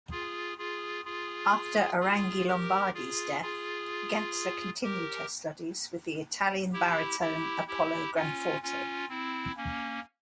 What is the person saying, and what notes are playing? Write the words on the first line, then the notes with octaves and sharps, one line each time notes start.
After Arangi-Lombardi's death, Gencer continued her studies with the Italian baritone Apollo Granforte.
F4 G#4
F4 G#4
F4 G#4
F4 G#4
G4 A#4
F4 G#4
F4 G#4
G4 A#4
E4 G4
E4 G4
E4 G4
C#4 F4
C#4 F4
C4 E4
A#3 C#4